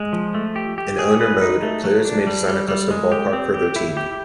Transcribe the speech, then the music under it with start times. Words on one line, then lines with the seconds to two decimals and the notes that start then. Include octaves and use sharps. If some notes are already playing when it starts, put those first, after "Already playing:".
In Owner Mode, players may design a custom ballpark for their team.
Already playing: G#3
0.13 F3
0.34 A3
0.56 G4
0.78 G4
0.99 G#4
1.20 B4
1.41 D#4
1.63 A3
1.84 F#3
2.05 D4
2.27 G3
2.48 G3
2.68 G3
2.91 G#3
3.12 G4
3.33 C4
3.54 G4
3.76 E4
3.97 G4